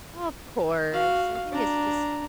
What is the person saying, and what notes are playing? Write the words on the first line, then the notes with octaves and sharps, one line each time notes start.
Oh, of course. I think it's just
F#4 F5
D4 A#5